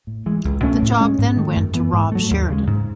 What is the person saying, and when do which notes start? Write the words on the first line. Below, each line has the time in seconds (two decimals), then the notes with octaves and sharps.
The job then went to Rob Sheridan.
0.07 A2
0.26 E3 G#3
0.44 C#2
0.63 B2 A3 C#4
0.82 A2
1.00 G#3 C#4
1.18 G#2
1.37 D#3 A3
1.56 F#2
1.74 E3 B3
1.93 G#2
2.12 F#3 A3
2.31 D#2
2.49 C#3 G#3
2.67 G#2